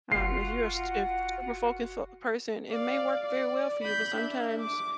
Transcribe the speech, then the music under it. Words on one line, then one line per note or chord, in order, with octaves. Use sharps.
Um, if you are a st if you're a super focused fo person, it may work very well for you, but sometimes
F#1 F4 F#4 F#5 C7
D5 F5
D5
B5 G6
D4 E5
D6